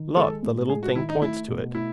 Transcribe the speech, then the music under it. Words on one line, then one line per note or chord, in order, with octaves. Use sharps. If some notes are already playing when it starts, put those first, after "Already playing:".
"Look, the little thing points to it."
Already playing: D#3
G#3 A4
A2
G#3 G#4
F#4
D#3 E4
D#4
A3 E4
B2
A3 E4